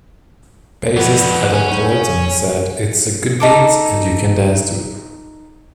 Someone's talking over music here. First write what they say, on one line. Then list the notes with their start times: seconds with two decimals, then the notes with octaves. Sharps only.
Bassist Adam Clayton said It's a good beat and you can dance to it.
0.96 F2 D3 B4 F#5
1.54 C#4
1.71 E2 F#3 D#4
1.89 C#3
3.40 D#4 A4 D6